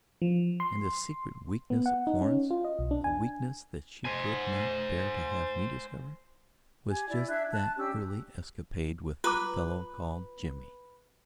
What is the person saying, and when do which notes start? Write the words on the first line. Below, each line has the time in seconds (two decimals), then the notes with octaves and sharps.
And the secret weakness of Florence--the weakness that she could not bear to have me discover, was just that early escapade with the fellow called Jimmy.
0.22 F3
0.60 C6
1.70 B3
1.86 F#5
2.07 D#4
2.21 C#4
2.51 F4
2.64 D#5
2.79 B1
2.91 D4
3.04 G#5
4.05 C5 G#5
6.91 G4 G#5
7.09 E4 D5
7.29 D4 E5 F#6 G#6
7.53 A5 F#6
7.77 C#4 D4 G4 E6
9.24 F4 B4 A#5 D6